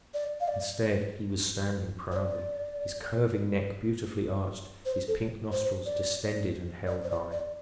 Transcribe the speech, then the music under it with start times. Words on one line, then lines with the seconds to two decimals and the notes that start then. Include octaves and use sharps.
Instead he was standing proudly, his curving neck beautifully arched, his pink nostrils distended and held high.
0.14 D5
0.41 F5
0.48 D5
2.12 C5
2.16 D5
4.86 C5
5.08 A4
5.52 C5
5.86 D5
6.87 D5
7.04 C5
7.10 D5
7.32 D5